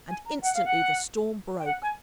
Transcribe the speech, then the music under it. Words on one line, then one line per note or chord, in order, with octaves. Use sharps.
And instantly the storm broke.
G#5
A#5
F#5
F5
F#5
G5
F#5
G#5